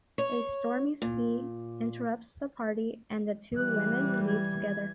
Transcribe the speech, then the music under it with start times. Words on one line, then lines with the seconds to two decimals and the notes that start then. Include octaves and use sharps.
A stormy sea interrupts the party and the two women leave together.
0.18 C#5
1.02 A#2
3.56 E3 G3 F#6
4.27 G#6